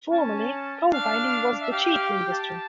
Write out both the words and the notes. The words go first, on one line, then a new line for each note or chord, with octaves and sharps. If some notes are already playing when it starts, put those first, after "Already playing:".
Formerly, coal mining was the chief industry.
C#4 A5
D4 F5
E5
G4 F5
G5
F5
G5
A5